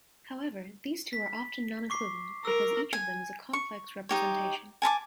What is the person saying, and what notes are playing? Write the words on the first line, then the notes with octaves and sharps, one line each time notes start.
However, these two are often non-equivalent, because each of them is a complex representation.
B6
C#6 D6 C7
A#4 E6
G#5
C#6
D#4 G4 C#5
G#5 A5 B5 D6